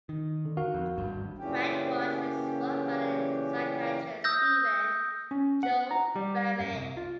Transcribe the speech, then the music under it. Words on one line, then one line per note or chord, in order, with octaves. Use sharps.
Quackwatch is run by the psychiatrist Stephen Joel Barrett.
D#3
D3
F#4 A#4 F5
F2
G#1 D2 G2
F#2 A#2 C#3 E3 C#4 G4
D#6 E6 G6 A#6
C#4
F#5
A#5
G3
F#2
C2
F4